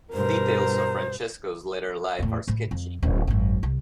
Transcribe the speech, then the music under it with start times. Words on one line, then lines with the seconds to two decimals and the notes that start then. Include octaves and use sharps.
Details of Francesco's later life are sketchy.
0.13 G2 B2 A#4 C5 A#5
2.19 E2 A2
2.48 A2 E4
2.71 F2
3.02 D1 C#4
3.27 G#1 F#2
3.63 C2